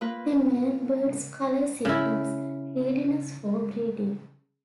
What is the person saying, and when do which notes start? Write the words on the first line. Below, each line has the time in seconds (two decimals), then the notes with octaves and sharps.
The male bird's color signals readiness for breeding.
0.01 A#3 F4 B4
1.85 C#3 E4